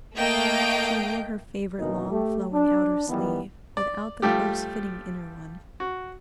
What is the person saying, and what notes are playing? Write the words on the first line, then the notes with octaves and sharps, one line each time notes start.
She wore her favorite long flowing outer sleeve, without the close fitting inner one.
A3 A#3 D#5 F5 G5 D7
F#2 B2 D#3 E3 A#3 D#4
A3 G4
D4
D#3 E3 G3 B3
D5
F3 G3 A3 G4
F#4